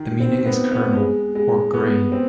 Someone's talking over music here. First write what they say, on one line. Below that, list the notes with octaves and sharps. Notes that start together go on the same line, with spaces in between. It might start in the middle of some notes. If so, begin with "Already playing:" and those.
The meaning is "kernel" or "grain".
Already playing: D#3
C4
B3
B3
G#3
G#3
B3
C4